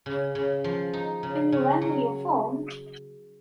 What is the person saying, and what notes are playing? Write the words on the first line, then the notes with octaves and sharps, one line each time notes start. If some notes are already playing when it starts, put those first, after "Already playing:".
Can you lend me your phone?
C#3
C#3
F3
D#4
C#3
C#3
F#3